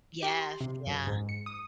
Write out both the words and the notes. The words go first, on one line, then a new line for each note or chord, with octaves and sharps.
Yes, yeah.
G4
C6
C3
F#2
G#2
C#7
D#6